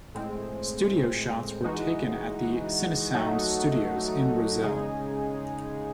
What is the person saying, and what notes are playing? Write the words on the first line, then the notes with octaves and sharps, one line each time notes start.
Studio shots were taken at the Cinesound Studios in Rozelle.
A2 G#3 C4
E3 G#3 D#4 F#4
F#3 A3 D#4 F#4
C#3 G#3 D#4 G#4